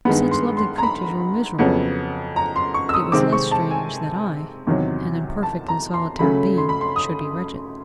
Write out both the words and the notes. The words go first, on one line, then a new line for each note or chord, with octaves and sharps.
If such lovely creatures were miserable, it was less strange that I, an imperfect and solitary being, should be wretched.
G2 D#3 G#3 B3 B5
C6
C6
A#5
B5
F2 C#3 F#3 B3
A#5
C6
C#6
E6
D#6
C3 D#3 G#3 C4 D6
C#6
A5
G#5
E2 C3 D#3 F#3
A5
A#5
C6
C#3 F#3 A3 C#4 B5
C6
B5
C6
D#6